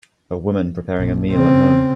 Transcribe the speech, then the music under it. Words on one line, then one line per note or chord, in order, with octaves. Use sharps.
A woman preparing a meal at home.
A#1
C#3 C4